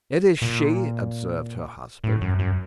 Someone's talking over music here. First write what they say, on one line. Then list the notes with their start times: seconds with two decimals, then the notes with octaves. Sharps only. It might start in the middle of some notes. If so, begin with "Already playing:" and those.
"It is she," observed her husband.
0.42 A#2
2.04 A2
2.21 F#2
2.39 F#2